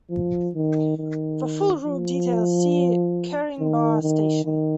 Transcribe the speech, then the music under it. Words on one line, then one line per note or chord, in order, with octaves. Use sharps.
For full route details see Caringbah Station.
F3
D#3
D#3
F3
D#3
D#3
D#3